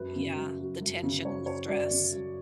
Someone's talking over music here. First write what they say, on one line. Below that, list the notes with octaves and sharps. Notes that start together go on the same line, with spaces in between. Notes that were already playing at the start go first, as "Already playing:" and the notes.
Yeah, the tension and the stress.
Already playing: F#2 B4
C#3
F#2
F#3
F#2
C#3
F#2 C#5
F#3 C#5
F#2 D5
C#3
F#2